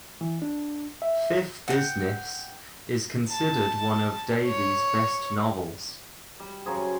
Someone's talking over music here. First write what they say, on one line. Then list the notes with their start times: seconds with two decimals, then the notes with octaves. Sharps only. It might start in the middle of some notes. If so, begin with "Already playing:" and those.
"Fifth Business" is considered one of Davies' best novels.
0.21 E3
0.42 D4
1.02 E5
1.68 F#5 G5
3.29 A5
4.46 C#5
6.40 G3
6.65 C#3 F#3 G#4 C5